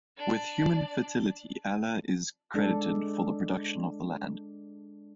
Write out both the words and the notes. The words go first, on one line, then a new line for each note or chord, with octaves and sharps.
With human fertility, Ala is credited for the productivity of the land.
D4 D5
G#3 D4 A4